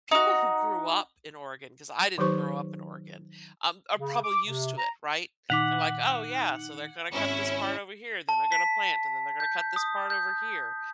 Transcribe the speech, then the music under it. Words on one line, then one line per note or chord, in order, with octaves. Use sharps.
people who grew up in Oregon 'cause I didn't grow up in Oregon, um, are probably used to it, right? They're like, "Oh, yeah. So they're gonna cut this part over here, then they're gonna plant, and then they're gonna cut this part over here."
D#4 F#4
D#3 F#3 D#4 G4 C5 C#6
C#3
D6
C3
A#5
A#2 D#3 D#4 F#5 D6 B6 F7
G#1 C#4 E4
A5
B6
G6
D#6
G6